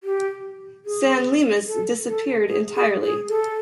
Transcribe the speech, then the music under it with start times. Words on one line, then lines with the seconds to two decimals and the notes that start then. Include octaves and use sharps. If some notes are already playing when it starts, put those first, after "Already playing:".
"San Lesmes" disappeared entirely.
0.04 G4
0.86 G#4
1.68 A4
2.08 A4
2.48 G#4
2.75 G#4
3.03 G#4
3.29 A4